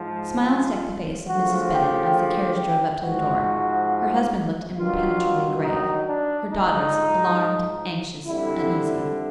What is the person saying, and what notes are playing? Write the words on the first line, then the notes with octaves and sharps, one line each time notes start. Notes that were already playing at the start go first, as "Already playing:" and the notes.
Smiles decked the face of Mrs. Bennet as the carriage drove up to the door; her husband looked impenetrably grave; her daughters, alarmed, anxious, uneasy.
Already playing: G#2 F3
F4
D2 C#3 F3 F#4
G4
G4
G#2 F3 F#4
G2 D#3 F#3 F4
D#4
D4
G#2 F3 D#4
F2 D3 G3 E4